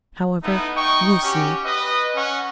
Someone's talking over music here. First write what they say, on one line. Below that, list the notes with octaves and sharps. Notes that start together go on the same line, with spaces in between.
However, we'll see.
A3 B3 D#4 E4
D#4 G5 C#6
C#4 F#4 G4
B4 D#5
C#4 F#5 C#6